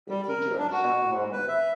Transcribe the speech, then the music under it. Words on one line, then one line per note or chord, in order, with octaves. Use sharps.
the teacher or the chaperone
G3
A#4
D4
F#4
G#2
B4
E5